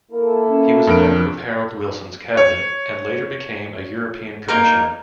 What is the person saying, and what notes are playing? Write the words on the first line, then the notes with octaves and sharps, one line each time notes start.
He was a member of Harold Wilson's cabinet, and later became a European Commissioner.
A#3 E4 A4 A#4
C#4
F2 D4 A#4 D7
C#5
A#3 D#4 A#4